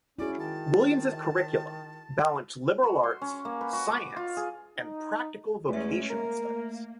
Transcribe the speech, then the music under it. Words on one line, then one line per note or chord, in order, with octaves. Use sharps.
Williams' curriculum balanced liberal arts, science and practical vocational studies.
C#4 E4 F#4 G#4 D5
D#3 A5
F#4
C6
C#4
A#3
B4
F#4
D6
F4
G#4
D#4
E2 F#3 G#3 A3 C#4 E5
A#3 A#4